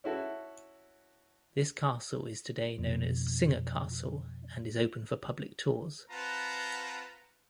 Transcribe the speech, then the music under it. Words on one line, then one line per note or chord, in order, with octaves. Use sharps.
This castle is today known as Singer Castle and is open for public tours.
C#4 E4 F#4 A4
F2 B2
C4 F4 B4 F#5 A5 A#5